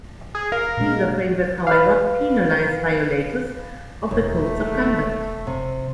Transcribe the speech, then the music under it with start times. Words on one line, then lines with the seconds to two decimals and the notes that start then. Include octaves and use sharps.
Neither framework, however, penalizes violators of the codes of conduct.
0.35 G#4
0.52 A#4 F5
0.77 A#2 G#3
1.67 B4 F5
4.11 E1 D#2 A3
5.47 C3